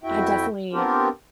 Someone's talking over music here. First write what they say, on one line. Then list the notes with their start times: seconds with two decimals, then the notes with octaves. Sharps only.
I definitely,
0.04 F2 E4 F#4 E5 G5
0.73 B3 C4 D4 F4 G4 A#4